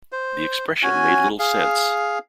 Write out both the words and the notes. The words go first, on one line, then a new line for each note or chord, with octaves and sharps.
The expression made little sense.
C5
C#4 F#4 G#5
G#4 F5